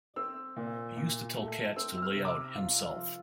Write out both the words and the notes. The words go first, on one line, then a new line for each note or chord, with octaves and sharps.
He used to tell cats to lay out himself.
C4 E6
A#2
A#2
A3
C4 E6
E6
F6
C3
D6
E6
F4
F3